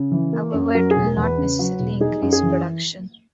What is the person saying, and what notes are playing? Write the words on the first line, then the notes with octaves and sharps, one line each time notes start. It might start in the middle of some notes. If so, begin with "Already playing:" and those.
However, it will not necessarily increase production.
Already playing: C#3
E3
A#3
F#2
F#3 A#4
G#4
E1
A#4
E2
B4
C#3
F#3
E1
D#4 G#4
F#2
G#4
E3